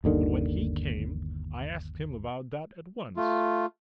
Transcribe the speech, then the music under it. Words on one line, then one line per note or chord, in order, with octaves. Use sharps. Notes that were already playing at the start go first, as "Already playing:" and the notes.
But when he came, I asked him about that at once.
G1 D#2 D3 D#3
A3 F4